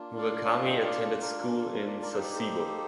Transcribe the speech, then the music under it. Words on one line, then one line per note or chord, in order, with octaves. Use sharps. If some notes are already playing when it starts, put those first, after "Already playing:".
Murakami attended school in Sasebo.
Already playing: A#3 D4 F4
D5 F5
F5 A5
D#5 G5
D5 F5
A4
A#4
A#4
A4
A#4
A#4 D5
A#4 D5
A#3 D#4 G4 C5
D5
A4 C5